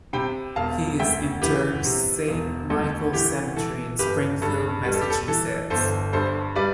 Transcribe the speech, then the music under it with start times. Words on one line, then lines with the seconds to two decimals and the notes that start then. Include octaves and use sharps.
He is interred Saint Michael Cemetery in Springfield, Massachusetts.
0.13 C3 G5 B5
0.56 E1 F5 A5
0.99 D2 E5 G5
1.42 E3 G4 B4
1.85 C3
2.28 E1
2.70 D2 A4
3.13 E3 G4
3.57 E3 A4
3.99 G1 G4 B4
4.42 G2 A4
4.85 G3 B4
4.94 A4
5.01 G4
5.10 A4
5.28 E3 A4
5.70 G1 A4 C5
6.13 G2 A4 C5
6.56 G3 B4 D5